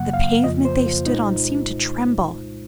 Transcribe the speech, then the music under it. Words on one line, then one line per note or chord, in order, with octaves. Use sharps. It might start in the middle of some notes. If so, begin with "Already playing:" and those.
The pavement they stood on seemed to tremble.
Already playing: F#2 C#3 F#3 A#3 F#5
F5
F2 C#3 F3 A#3 F4 D#5
C5
F4
C2 A#2 G#3 D#4